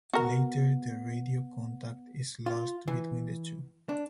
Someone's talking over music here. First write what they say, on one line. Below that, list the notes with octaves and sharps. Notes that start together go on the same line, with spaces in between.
Later the radio contact is lost between the two.
B3 F#4 A#4
F4
E3
D4